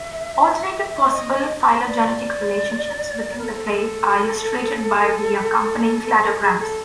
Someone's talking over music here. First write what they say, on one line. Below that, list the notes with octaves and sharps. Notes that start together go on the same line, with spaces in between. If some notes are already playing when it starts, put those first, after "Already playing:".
Alternative possible phylogenetic relationships within the clade are illustrated by the accompanying cladograms.
Already playing: E5
D#5
D5
A#4
A4
G#4
A4